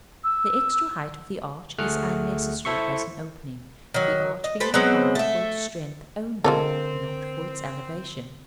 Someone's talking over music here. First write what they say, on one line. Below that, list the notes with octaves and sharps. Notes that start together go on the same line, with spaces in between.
The extra height of the arch is unnecessary as an opening, the arch being required for its strength only, not for its elevation.
E6
D2 A3 G#4 F#5 F6 F#6
E4 A4 C5 E5 C6 C#6
D#3 F#3
D#5
G4 A4 B4 C5
F#3 G#3 B3 C4
A3 E5
D3 G#3 C4 F4 A4 A#4